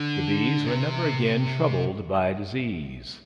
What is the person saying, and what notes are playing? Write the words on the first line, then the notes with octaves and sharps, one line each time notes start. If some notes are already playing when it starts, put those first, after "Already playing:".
The bees were never again troubled by disease.
Already playing: D3
C3